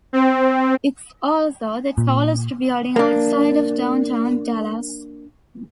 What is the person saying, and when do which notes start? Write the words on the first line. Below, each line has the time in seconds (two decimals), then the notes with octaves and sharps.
It's also the tallest building outside of Downtown Dallas.
0.13 C4
1.98 A#2
2.96 A#3 D4